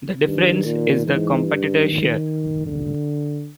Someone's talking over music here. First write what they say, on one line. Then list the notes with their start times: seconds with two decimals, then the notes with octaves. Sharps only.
The difference is the competitor share.
0.25 G2 D#3
0.65 A#2
1.05 G#2 E3
1.46 G2
1.86 D#3
2.66 D3